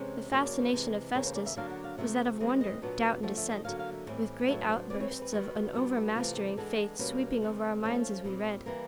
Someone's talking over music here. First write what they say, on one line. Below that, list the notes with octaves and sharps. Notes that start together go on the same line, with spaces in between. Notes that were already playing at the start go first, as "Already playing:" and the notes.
The fascination of "Festus" was that of wonder, doubt, and dissent, with great outbursts of an overmastering faith sweeping over our minds as we read.
Already playing: C3 E3 G#3 C#4 C5
C#3 F#3 A#3 D4 C#5
D5
C5
C3 E3 G#3
C#3 E3 G3 A#3 C#5
C5
D5
E5
D3 F#3 A#3 D4 F5
F#5
F5
C3 F3 A3 E5
E3 G#3 C4 D#5
D#5
A#2 F#3 B3 D4
D3 F3 A3 E5
E5
D#5
D3 F#3 A#3 F5
F5
E5
A2 E3 G3 C4
A2 F#3 B3 D4 E5
C5
E3 G3 C4 D5
C#5
C5
B4
D#3 G3 B3 F#4
B2 G3 B3 D4
C3 E3 A3 C4 F4
G4
E3 G#3 B3 D4 A4
B2 G3 A#3 C#4 B4
C3 D#3 G3
F3 A3 C#4
A#2 G3 C4
E3 G3 A#3